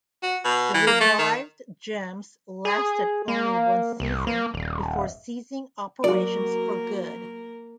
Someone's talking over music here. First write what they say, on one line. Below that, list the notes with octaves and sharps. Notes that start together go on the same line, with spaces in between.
The revived Gems lasted only one season before ceasing operations for good.
F#4
B2
E3
A#3
A3
D#3
G#4
A#3
C2
A#3
D#1
F#3 A#3 F#4 A#4 D5